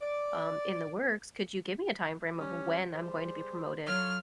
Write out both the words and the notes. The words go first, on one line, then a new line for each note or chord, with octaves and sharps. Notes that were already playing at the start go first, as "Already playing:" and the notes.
um, in the works. Could you give me a time frame of when I'm going to be promoted
D5
G3 C#4
G3 G#4 C5
F#3 F4 A4 C#5 F6